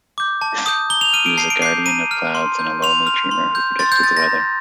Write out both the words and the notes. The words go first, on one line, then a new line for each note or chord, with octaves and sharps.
He was a guardian of clouds and a lonely dreamer who predicted the weather.
D6 G6
A5
D#6 G6
A#5 G7
F7
F6 D#7
D7
A5 C7
D7
D6 G6 C7
A#5 D#7
F6
C6
G6
C6 F7
F6
C6
G6
C6 A6
G6
D#6 G6 A6
A#6
A#5